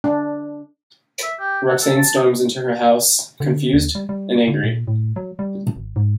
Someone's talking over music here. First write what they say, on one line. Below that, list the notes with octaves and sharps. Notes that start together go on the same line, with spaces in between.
Roxane storms into her house, confused and angry.
D4
E5
G4
F#5
A4
A5
D#6
D3
D#2
G3
G3
D3
A#2
A2
F#3
G3
G#1
G#2